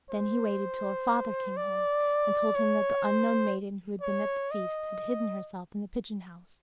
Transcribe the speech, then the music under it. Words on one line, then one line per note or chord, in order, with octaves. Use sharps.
Then he waited till her father came home, and told him that the unknown maiden who had been at the feast had hidden herself in the pigeon-house.
C5
D5
C#5
C5
C#5
D#5